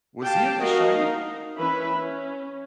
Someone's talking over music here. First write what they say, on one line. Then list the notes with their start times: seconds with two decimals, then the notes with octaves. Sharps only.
Was he in The Shining?
0.24 G4 F5 G5 A5
0.61 D#3 F#4 A#4 D#5 F5
0.99 D#4
1.57 E3 C#4 E4 B4 E5 B5
1.98 C#4